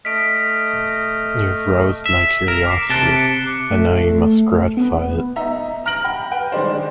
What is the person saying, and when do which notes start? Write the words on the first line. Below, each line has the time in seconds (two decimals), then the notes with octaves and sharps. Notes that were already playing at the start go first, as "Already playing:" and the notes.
You have roused my curiosity, and now you must gratify it.
0.05 A3 D#5 F6 B6 D7
2.06 E5
2.48 A#4 E7
2.66 D6 B6 C7
2.90 C3 A5 F#6 D7 G7
3.16 C#7
3.71 A3
4.77 B3
5.36 D#4 E5 A#5
5.85 A#5 F6 A#6 D7 F#7
6.04 G5 B5
6.31 B4 G5
6.52 D#3 G#3 D4 C5